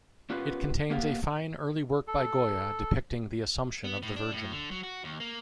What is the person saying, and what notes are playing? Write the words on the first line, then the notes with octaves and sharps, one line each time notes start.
It contains a fine early work by Goya depicting the Assumption of the Virgin.
B3 C#4 F4 G4 A#4 B4
A#3 B3 G4 A#4 F5
A4
B3
A2
D4
A2
D3
F#3
F#4
D#2
A#3